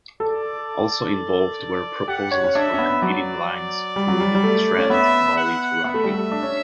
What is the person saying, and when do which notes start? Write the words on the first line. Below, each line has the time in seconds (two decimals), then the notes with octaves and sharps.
Also involved were proposals for competing lines through the Trent valley to Rugby.
0.20 A4 D5
2.08 G4 F#5
2.31 C#5
2.44 C#4
2.55 D4 E5
2.74 C#4
2.78 B3
3.02 F#3 D5
3.96 G3
4.08 F#3
4.20 G3
4.35 G3
4.44 A3
4.78 C#4
4.90 B3 E5
5.37 F#5
5.85 B3 E5
5.94 A3
6.04 G3
6.13 A3
6.32 D4
6.43 C#4